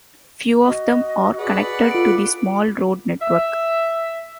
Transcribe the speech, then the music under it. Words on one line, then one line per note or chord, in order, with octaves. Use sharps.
Few of them are connected to the small road network.
F#4 D#5
G#4 B4 D5 F#5
F4 A4 D7
E5